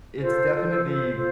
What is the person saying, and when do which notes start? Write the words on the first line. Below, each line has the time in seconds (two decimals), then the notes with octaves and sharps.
it's definitely
0.19 F4 A4 C5
0.51 F4 A4 C5
0.82 F4 A4 C5
1.14 F4 A4 C5